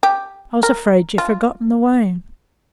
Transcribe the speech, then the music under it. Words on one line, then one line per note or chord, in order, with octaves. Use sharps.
I was afraid you'd forgotten the way.'
G4
A#4
F4